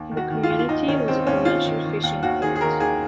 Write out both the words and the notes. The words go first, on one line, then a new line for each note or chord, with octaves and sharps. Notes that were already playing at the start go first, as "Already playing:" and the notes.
The community was a commercial fishing port.
Already playing: D#2
D#3
F#4
D#3
F4
D#2
F4
D#2 D#4
D#3 C#4
D#3 C4
D#2 C#4
D#2 F4
D#3
D#3
D#2
D#2 F#4
D#3 G#4
G#4
D#3 A#4
D#2 G#4